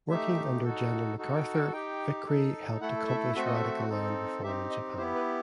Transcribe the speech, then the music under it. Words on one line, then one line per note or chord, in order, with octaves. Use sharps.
Working under General MacArthur Vickrey helped accomplish radical land reform in Japan.
A3 D#4 G4 E5
D#4 F#4 A4
D#4 F#4 A4
G5
G5
D#4 G4 G5
D#4 A4
A3 E4 A4 F#5
E5
A3 C4 F#4 A4 E5
D#5
E5
C4 D#4 A4
C4 D#4 G4 E5
D#5
B3 E4 G4 C5
B4